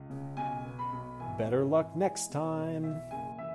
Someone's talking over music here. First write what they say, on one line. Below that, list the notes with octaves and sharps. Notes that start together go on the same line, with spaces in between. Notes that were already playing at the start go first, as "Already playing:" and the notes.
Better luck next time!.
Already playing: C#2
C#3
B1 G#5
B3
B5
B1
E3 G#5
G#1
E3
G#3 G#5
B1
C#5
B1
E3 E5
F#1 G#5
E3 E5